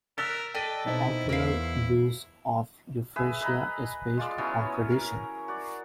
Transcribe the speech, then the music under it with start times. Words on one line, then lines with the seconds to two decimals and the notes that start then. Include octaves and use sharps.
The ocular use of Euphrasia is based upon tradition.
0.18 A#4 E5 E6 F#6 A6
0.55 A4 D5 D#5 G5 B6 D#7
0.86 B2 C4 D#4 E4
1.29 E2 E4 A#4 F5
3.16 G#4 B4 E5
3.41 B4 D#5 A#5 B5
4.17 G#3 F4 D5
4.38 E3 F#3 B3 C#4
4.90 A#4
5.48 F#4 D5